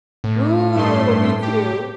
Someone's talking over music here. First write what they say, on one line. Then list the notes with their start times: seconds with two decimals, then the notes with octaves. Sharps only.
Ooh, me too.
0.24 A2
0.75 G2 A3 C6
1.42 G4